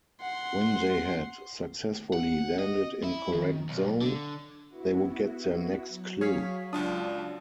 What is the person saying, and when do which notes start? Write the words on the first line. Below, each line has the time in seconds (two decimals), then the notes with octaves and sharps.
When they had successfully landed in correct zone, they would get their next clue.
0.22 F#5 C6
2.13 F#5
2.59 D#5
3.04 E4
3.33 D#3
3.69 B1
4.02 D3
4.69 B3 E4 F#4
5.88 F#3
6.21 G#4 C#5 F5 B6
6.73 C#2 D4 F4 D#6